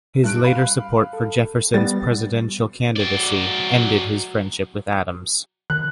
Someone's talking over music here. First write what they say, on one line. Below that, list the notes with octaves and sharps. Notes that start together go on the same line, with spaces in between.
His later support for Jefferson's presidential candidacy ended his friendship with Adams.
G2 F#6 D7
F5 B5
A4
G3 B3 A6
F#3 D5
D#3 F#6